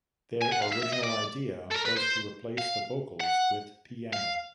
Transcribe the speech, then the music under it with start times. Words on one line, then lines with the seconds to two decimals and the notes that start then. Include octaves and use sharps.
Their original idea was to replace the vocals with piano.
0.42 G#5
0.52 F#5
0.62 F5
0.72 E5
0.82 E5
0.93 D#5
1.03 D5
1.71 A4
1.76 A#4
1.86 B4
1.97 C5
2.58 F5
3.21 F#5
4.13 F5